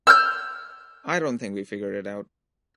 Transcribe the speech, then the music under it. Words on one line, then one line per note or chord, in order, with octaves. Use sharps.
I don't think we figured it out.
E6 F6 G6